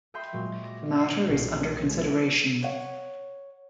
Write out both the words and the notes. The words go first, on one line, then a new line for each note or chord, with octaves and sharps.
The matter is under consideration.
D#5 E5 G5 B5 C6
A#2 F#3 G#3
D6 A#6
D5 F#5 D6 G#6 C7
B1 A#2 G3 F#5 C7
G#3 G#4
C#5 F#5